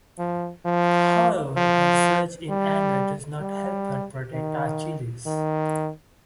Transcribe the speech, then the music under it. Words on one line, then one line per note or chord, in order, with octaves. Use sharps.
However, her surge in anger does not help her protect Achilles.
F3
F3
F3
G3
G3
D#3
D#3